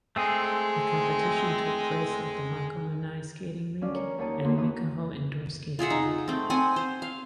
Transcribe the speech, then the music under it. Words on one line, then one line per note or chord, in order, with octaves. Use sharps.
The competition took place at the Makomanai Skating Rink and Mikaho Indoor Skating Rink.
G#3 A3 C4 G#4
D2 C#4 D5 F5
A#4 C#5
D#2 A#4 C#5 A5 D#6
D#2 A#3 F#4 C6 D#6
E3 A#3 D#6
F4 G#4 E5 F#5
D#4
A3 C4
C4 F#5 G#5
C5
F5